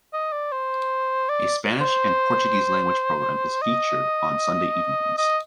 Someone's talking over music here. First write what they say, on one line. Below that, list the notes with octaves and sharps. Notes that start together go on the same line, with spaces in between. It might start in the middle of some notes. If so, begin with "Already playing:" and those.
A Spanish and Portuguese language program is featured on Sunday evenings.
D#5
D5
C5
D5
C5
D#5
D#5